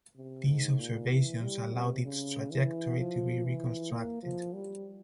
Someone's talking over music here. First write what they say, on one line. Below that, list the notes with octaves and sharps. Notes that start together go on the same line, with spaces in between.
These observations allowed its trajectory to be reconstructed.
C3
G#2
A#2
E3
G3
C3
C#3
E3
F3
E3
A#3
F3
G3